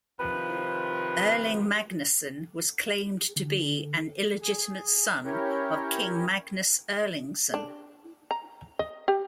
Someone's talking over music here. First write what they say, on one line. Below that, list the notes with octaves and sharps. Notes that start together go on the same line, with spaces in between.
Erling Magnusson was claimed to be an illegitimate son of King Magnus Erlingsson.
C3 D#3 F3 B4
D3
G#4
C#4 E4 G4 A#4 C#5
D4
A#5
D#5
G4